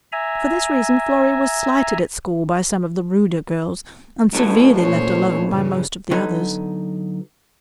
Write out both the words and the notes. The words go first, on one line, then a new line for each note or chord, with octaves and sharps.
For this reason Florrie was slighted at school by some of the ruder girls and severely left alone by most of the others.
E5 G#5 A#5
B1 A2 E3
A#2 C5 C#5
G2 C#3 E3
D3 F#3 B3 D#4